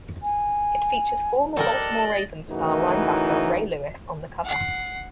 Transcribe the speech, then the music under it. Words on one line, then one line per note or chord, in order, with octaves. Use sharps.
It features former Baltimore Ravens star linebacker Ray Lewis on the cover.
G#5
D3 G3 A#3 D4 A4 A#4 D5 D#5
A2 C#3 E3 D#4 F#4 A#4
F#5 C7